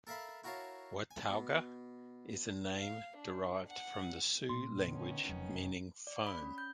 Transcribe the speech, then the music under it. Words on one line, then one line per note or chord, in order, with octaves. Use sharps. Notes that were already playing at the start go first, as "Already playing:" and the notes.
Watauga is a name derived from the Sioux language meaning "foam".
A4 A#4 E5 F5 A5 B5
E4 F#4 A#4 C#5 F5 A5
G#5
B2
F5
D4
F#5
A#2 C6
D3 D#3 B3 C#4
F1 F2 C#3 F#3
D5
B5
C#4
G6